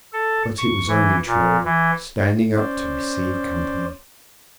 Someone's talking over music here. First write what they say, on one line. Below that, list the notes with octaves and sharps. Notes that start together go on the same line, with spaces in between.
But it was only True, standing up to receive company.
A4
C#6
E3
A#2
E3
C#4 C5 D5